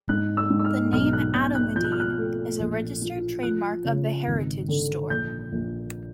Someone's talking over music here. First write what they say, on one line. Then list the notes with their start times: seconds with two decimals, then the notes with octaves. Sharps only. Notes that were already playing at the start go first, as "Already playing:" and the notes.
The name Atomidine is a registered trademark of The Heritage Store.
0.09 G#2 F#6
0.37 E6
0.50 G#2
0.59 E6
0.65 F6
0.92 B1 F6
1.13 F#6
1.34 B2 G6
1.55 F#6
1.76 F3 G6
1.84 F#6
1.92 F6
2.00 F#6
2.18 A3
2.59 A#1
3.02 F3
3.43 F3 F#6
3.85 C#3
4.27 G#1
4.68 D3
5.10 A#1 G6
5.52 A#1